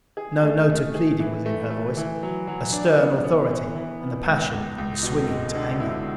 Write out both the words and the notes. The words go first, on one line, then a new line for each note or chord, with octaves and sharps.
No note of pleading was in her voice: a stern authority, and the passion was swinging to anger.
G#4
A3
A3
G#4
E3
A3
A3
E3
F#3
F#3
D4
B3
B3
E3
E3
B3
C#2
C#2
C#2
B2
G#3
D3
E4